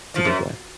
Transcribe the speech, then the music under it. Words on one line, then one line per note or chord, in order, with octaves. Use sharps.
to their death.
F3
F#2